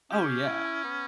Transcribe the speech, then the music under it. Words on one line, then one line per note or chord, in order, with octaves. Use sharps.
Oh, yeah.
C#4 G4
E4
B3